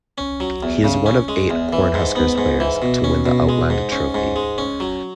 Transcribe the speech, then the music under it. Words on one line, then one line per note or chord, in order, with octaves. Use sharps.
He is one of eight Cornhuskers players to win the Outland Trophy.
C#4
F#3
E2
C#3
C#4
G#3
E2
E3
G#2
B3
G#2
E3
B2
C#4
B2
G#3
G#2
C#4
G#2
G#3
C#4
F#3